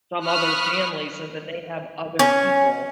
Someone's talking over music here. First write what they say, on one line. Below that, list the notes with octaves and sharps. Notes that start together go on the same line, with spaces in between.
some other family so that they have other people.
B5 C#6 D#6 F6 F#6
C#4